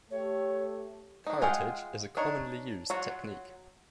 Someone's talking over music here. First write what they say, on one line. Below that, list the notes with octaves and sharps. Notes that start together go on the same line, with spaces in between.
Curettage is a commonly used technique.
A3 G4 C#5
D4 D#4
G#3 F4 G#4 F#5 G5
D4 D#4 C#5
F#3 F4 F#4